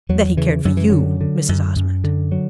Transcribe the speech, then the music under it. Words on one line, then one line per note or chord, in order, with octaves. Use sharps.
"That he cared for you, Mrs. Osmond."
E2 F#3
C#3 E3
F#2 F#3
E3
D3 F#3
D3
F#2
F#2
D3
F#3